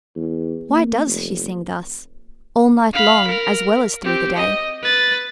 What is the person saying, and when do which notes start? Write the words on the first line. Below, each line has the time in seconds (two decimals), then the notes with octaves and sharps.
Why does she sing thus, all night long as well as through the day?
0.16 E2
0.70 A#3
1.06 F1
2.93 F5 B5
3.27 A#4
4.04 C4 G4
4.36 D#5
4.83 B4 A6